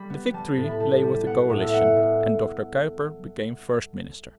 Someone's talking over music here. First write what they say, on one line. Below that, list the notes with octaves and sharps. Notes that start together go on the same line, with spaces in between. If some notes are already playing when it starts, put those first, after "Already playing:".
The victory lay with the coalition, and Dr Kuyper became first minister.
Already playing: G3 B5
B3
G3 A5
A2
B5
A2 A5
G3
B3 F#5
A2
E5
B3 F#5
A2